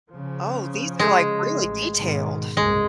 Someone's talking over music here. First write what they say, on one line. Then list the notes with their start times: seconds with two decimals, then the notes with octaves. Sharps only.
Oh, these are like really detailed.
0.11 C#3 F3
0.99 G#3
1.64 A1
1.97 G#2 B2 D#3
2.57 F#1 C2 G#2 G#3